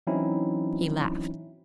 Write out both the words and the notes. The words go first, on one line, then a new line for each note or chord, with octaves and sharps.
He laughed.
E3 F#3 C4 C#4 D#4 E4